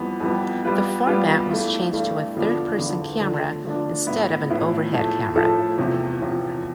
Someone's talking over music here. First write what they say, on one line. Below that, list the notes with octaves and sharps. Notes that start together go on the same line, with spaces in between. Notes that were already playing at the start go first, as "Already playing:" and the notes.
The format was changed to a third-person camera instead of an overhead camera.
Already playing: F2 E3 G3 B3
F2 E3 G3 B3
G3 B3 F4 B4
G3 B3 F4 B4
G2 E3 A3
G2 E3 A3
E2 D3 F3 B3 D4
E2 D3 F3 B3 D4
D3 F3 A3 D4
D3 F3 A3 D4
A2 F3 B3 E4
A2 F3 B3 E4
A2 F3 A3 E4 A4
A2 F3 A3 E4 A4
E2 C3 F3
E2 C3 F3